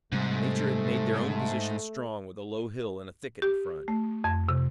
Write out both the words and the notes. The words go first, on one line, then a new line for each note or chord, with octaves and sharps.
Nature had made their own position strong with a low hill, and a thicket in front.
G#2 C3 G3 A3
G4
A3
F2
C3